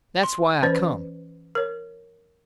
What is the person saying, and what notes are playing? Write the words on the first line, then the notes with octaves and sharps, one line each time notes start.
That's why I come.
C6
E3 C#4 B4 C5 D5
A#4 C#5